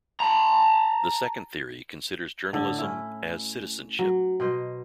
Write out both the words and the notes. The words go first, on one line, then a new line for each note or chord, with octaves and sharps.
The second theory considers journalism "as" citizenship.
A5 A#5
A2 D3
C#4 E4
F#3
B2 C5 D#5